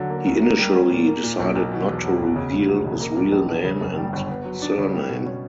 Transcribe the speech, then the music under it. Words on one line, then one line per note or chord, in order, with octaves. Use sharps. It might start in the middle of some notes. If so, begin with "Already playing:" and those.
He initially decided not to reveal his real name and surname.
Already playing: D3 F#3
A#3
D2
A#3
G3
C#4
A#2
A#3
A#2
B1
B1
B2
E2
F#3
F#1
C#3
D2
F#3
E1
A#3
A#2
A#1
A#1
C#3
F#2
G3
G1
B3
F#3
D4
C#3
G3
B2
C#4